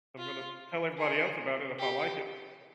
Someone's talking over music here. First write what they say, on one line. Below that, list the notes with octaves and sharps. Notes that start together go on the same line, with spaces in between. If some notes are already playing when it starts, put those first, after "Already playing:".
I'm gonna tell everybody else about it if I like it."
F4
G#4
G4